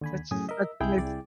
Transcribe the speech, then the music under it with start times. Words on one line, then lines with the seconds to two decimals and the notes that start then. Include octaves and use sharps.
Such a such a nice
0.01 D#2 D3 G#5 B5
0.31 F#2 A2 C#3 G#5 D#6
0.49 A#4 D#5 E5
0.81 C2 G#3 E4 G#4 G5 G6
0.97 C2 D5